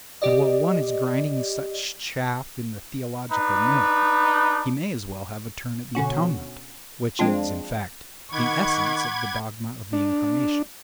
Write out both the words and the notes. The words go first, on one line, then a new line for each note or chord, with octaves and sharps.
And while one is grinding such chaff in the theological mill, he may as well have a turn at the Atonement, which is, in fact, the essence of the dogma of the Incarnation.
G4 D5 D#5
D4 D#4 B4
B2 D3 C#4 F#4
F3 G#3 C4 D4 F4
D#3 F#5 B5 C#6 D6 G#6
D4